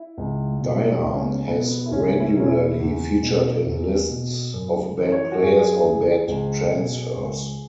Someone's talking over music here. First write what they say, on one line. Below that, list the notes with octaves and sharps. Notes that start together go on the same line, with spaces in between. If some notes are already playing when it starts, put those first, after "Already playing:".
Dia has regularly featured in lists of bad players or bad transfers.
Already playing: E4
C#2
B2
C#2 E4
C#4
B3
C#4
B2 B3
E4
C#2 C#4
E4
B2 C#4
E4
E2
B2
E2
B2
F#2
E3
C#5
F#4
F#2 G#4
E3
C#2
B2
C#2